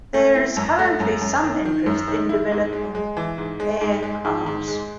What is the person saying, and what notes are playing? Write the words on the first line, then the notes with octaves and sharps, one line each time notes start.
There is currently some interest in developing air cars.
A3
E4
F#2
A3
F#2
F#2
D#3
D#3
F#2
D#3
E4
G#2
G#3
G#3
E3
G#2
G#3
G#2
G#3
G#2
G#2
G#3